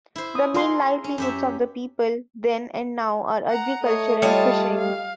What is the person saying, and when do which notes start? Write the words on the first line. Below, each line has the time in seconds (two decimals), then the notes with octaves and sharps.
The main livelihoods of the people, then and now, are agriculture and fishing.
0.16 E4 C5
0.35 D#6
0.54 F4 G#4 A#4 C6
1.04 C#4
1.18 F#2 G4 E5
3.49 F#5 A#5
3.83 A3 C#5 D#5
4.22 G3 F4 C#5 D#5 A5
4.78 F5